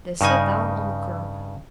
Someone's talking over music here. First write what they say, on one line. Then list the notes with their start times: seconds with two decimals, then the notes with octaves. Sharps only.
They sat down on the curb.
0.21 G2 C#3 D#4 G#5